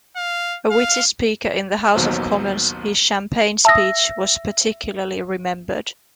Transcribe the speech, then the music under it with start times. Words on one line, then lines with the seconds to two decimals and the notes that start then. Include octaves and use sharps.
A witty speaker in the House of Commons, his "champagne speech" was particularly remembered.
0.16 F5
0.71 F5
1.95 A1 D#2 B2 F#3 C5
3.65 E5 A5 D#6 E6 A#6